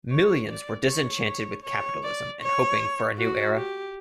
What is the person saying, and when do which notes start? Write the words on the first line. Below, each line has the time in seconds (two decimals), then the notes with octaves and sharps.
Millions were disenchanted with capitalism and hoping for a new era.
0.11 C#5
0.50 D5
0.88 C#5
1.27 C#5
1.64 C#5
2.03 D5
2.42 C#5
3.18 F#4
3.56 G4